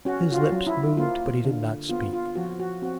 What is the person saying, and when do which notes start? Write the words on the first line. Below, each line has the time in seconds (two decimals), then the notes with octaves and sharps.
His lips moved but he did not speak.
0.05 C#4 F#4
0.32 F4
0.36 F#4
0.52 F#3
0.67 E4
0.97 A#3 F4
1.44 D3
1.89 B3 F4
2.13 F4
2.36 F3 F#4
2.59 F#4
2.82 C4 F#4